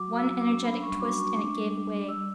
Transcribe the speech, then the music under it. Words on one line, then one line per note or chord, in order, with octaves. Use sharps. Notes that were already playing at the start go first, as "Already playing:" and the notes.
One energetic twist and it gave way.
Already playing: F#3 F#4 D6
F#4
E6
F#3
D6
C#4
D4 B5
G3 C#6
F#4 D6
F#4 C#6
D4 D6
G3
D4
G3
G3 E6